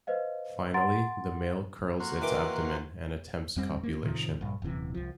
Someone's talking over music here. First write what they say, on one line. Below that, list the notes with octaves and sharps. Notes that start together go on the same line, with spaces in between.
Finally, the male curls its abdomen and attempts copulation.
B4 C5 D#5 F5
F#5 A#5 C6 A6 D7
A#3 F#4 C6
D#3 E3 D6
F2 G3 C4
A#3
A2 C3 D#3 F3
A#1 G2
D#1 F#2 C3 E3
C2 F3